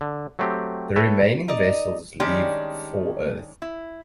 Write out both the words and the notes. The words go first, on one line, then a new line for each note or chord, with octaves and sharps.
The remaining vessels leave for Earth.
D3
F#3 A3 C4 G4
A4 B4 C#5 E5 G5 A5
D#4 D5 D#5
D#3 G3 G#3 C#4 D4 G4
E4